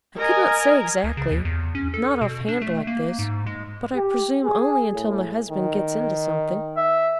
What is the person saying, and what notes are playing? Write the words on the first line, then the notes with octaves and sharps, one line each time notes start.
"I could not say exactly--not off-hand like this--but I presume only until my husband gets into something."
A#4 D#5 G#5 A#5
C#2
C#3
D#2
E2
C#4
A4
B2
D4
A3
A#3
G#2
G#3
G4
G#4
A2
D#3
E5